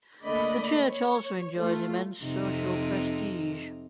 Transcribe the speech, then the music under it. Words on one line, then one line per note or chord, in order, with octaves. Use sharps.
The Church also enjoys immense social prestige.
D3 A3 A#3 D5 D#5 B5
C#5
A3 F4
F2 C3 D#4